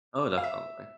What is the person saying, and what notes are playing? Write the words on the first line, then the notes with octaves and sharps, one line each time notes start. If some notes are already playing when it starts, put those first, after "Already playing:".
Oh, definitely.
F5
E5